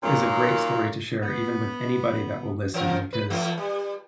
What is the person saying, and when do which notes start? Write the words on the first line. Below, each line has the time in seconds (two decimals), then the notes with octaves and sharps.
is a great story to share even with anybody that will listen because
0.03 A#2 D#3 F#3 A#3
1.23 B3
2.74 E3 F3 A#4
3.13 B4
3.30 E3 A3 A#3
3.58 G3